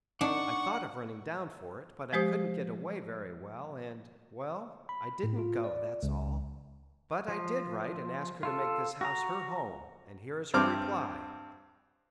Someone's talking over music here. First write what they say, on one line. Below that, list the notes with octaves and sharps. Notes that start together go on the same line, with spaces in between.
I thought of running down for it, but I couldn't get away very well, and--well, I didn't go, that's all. But I did write and ask her to make this house her home, and here is her reply.
D4 D#4 D5 F#5 C#6
F3 G#3 G4 C5 D#6
B5
A2
F4
D5
C#2
F3
F4 A4
F#4 A#5
G2 C4 D6 F6